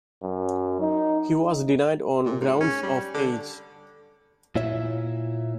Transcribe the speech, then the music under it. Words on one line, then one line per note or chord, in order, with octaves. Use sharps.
He was denied on grounds of age.
F#2
D#4
A#2
G#2
C#4
G3
D3
A#2 E4 C#5 E5